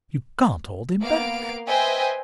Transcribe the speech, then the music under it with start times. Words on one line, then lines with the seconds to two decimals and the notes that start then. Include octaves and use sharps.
You can't hold him back.
1.00 A#3 B3 F5 D7
1.67 B4 C5 D#5 E5 G5 G#5